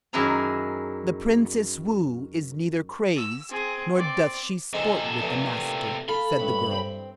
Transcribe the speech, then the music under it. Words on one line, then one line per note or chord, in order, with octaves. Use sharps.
"The Princess Woo is neither crazed nor doth she sport with the master," said the girl.
F#2 D#3 D4 E4 G#4 A#5
E6
C4 G#4
C4 D5
C3 D#4 G#4 A4 C5
A#2
A#2 E3 A3
A4 F5 B5
G2 C#4 E4 B4
C4